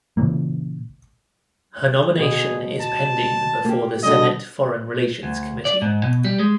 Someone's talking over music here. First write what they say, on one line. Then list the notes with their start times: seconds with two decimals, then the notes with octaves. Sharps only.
Her nomination is pending before the Senate Foreign Relations Committee.
0.17 A#2 C#3 E3 A#3
2.17 B2 G#4
2.81 A5
3.65 A#3 G4
4.03 B2 D3 G3 D#5
5.23 D2
5.65 D5
5.82 G#2
6.03 B2
6.24 G3
6.39 G#3